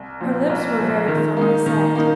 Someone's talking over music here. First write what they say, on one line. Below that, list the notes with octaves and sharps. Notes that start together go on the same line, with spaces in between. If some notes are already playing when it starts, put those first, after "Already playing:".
Her lips were very firmly set.
Already playing: C2
A#2 F3
C2
A#2 F3
D#3
A#3 D#4
D#3
A#3 D#4